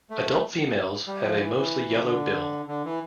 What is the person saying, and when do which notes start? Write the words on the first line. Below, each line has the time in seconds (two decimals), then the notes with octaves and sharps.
Adult females have a mostly yellow bill.
0.10 A3
1.07 G3
1.22 F3
1.35 D3
1.40 E3
1.55 E3
1.92 C3
2.03 D3
2.68 D3
2.85 E3